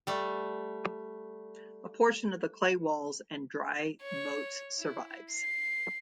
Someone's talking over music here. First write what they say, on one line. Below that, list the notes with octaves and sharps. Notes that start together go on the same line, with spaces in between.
A portion of the clay walls and dry moats survives.
G3 A3
C#5
E4
C7